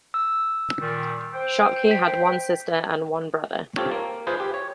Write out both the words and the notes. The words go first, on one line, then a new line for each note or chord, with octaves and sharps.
Schottky had one sister and one brother.
E6
A#2 D#3 G3
C5 G5
B6
C4 F4 G4 A4 C#5
A#3
F4 G#4 B4 C5
G4
C#5